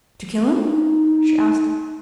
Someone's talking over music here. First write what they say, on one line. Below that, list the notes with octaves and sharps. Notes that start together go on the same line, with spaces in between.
"Did you kill him?" she asked.
D#4